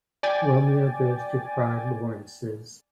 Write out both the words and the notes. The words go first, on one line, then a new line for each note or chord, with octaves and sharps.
Romeo goes to Friar Lawrence's.
D5 G5 G#5 D6 A6